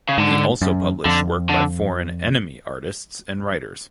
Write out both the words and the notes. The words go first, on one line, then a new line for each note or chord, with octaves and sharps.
He also published work by foreign "enemy" artists and writers.
C#3
G#2 D3
F#2
F2 D3
D3